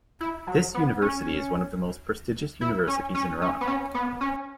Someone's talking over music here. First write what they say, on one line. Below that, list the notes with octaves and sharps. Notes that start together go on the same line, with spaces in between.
This university is one of the most prestigious universities in Iran.
E4
F#3
B3
C#4
E4
C#4
C#4
C#4
B3
C#4
B3
C#4